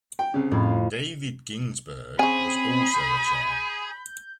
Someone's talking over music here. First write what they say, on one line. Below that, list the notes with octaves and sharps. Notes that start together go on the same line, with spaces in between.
David Ginsburg was also a chair.
G5
C2 C#3
F2 A2
C#3 C4 G#4 G#5 B5
G6